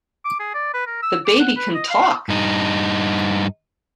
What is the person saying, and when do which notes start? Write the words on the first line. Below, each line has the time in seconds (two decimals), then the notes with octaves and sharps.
The baby can TALK!
0.25 D6
0.39 G#4
0.54 D5
0.74 B4
0.87 A#4
1.02 E6
1.26 D6
1.40 F#5
1.56 B4
1.74 D#5
1.90 F5
2.29 G2 D#4